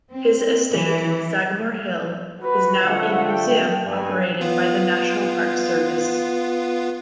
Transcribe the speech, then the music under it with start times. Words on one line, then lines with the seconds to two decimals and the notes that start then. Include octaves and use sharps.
His estate, Sagamore Hill, is now a museum operated by the National Park Service.
0.12 C4
0.71 E3
2.41 F#4 B4
2.84 D3 F3 A3 F#5
3.27 G5
3.85 G2 G#5
4.41 B3 F4